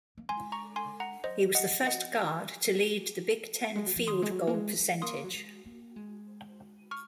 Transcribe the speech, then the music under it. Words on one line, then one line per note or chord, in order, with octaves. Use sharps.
He was the first guard to lead the Big Ten field goal percentage.
A#3
G#3 G#5 C6
A#5 C#6
G#5 C6
F#5 A#5
F#3 C5 D#5
D#5 F#5
F3
D#5 F#5
G#3
F#3
F3
D#3 C6 D#6
G#3
F#3
A#3
G#3
G#3
A#3 C6 D#6
F#3
G#3
A#3
G#3
C#6 F6